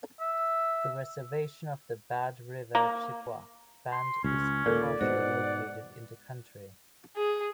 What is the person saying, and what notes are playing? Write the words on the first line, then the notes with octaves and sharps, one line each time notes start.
The reservation of the Bad River Chippewa Band is partially located in the county.
E5
A#3
C6
C#2 C#4
D#2 A#2 A4 A#4 D5
G#2 B2 C5 F#5
G#4